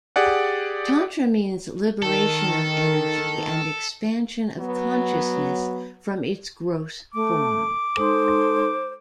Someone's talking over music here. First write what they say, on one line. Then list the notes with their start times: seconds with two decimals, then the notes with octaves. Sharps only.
Tantra means liberation of energy and expansion of consciousness from its gross form.
0.16 G4 G#4 D5 F#5
2.02 D#3 A4
4.58 F#3 B3
7.14 A3 D6
7.98 G#3 D#4 A4 C5 C6